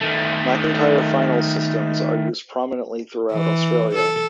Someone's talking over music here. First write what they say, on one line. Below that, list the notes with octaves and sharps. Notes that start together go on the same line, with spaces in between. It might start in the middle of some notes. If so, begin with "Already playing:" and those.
McIntyre finals systems are used prominently throughout Australia.
D#3 A3
E3
A4